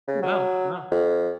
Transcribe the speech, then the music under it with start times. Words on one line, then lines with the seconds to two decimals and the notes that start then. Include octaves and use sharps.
Wow, wow.
0.08 C#3
0.22 F#3
0.91 F2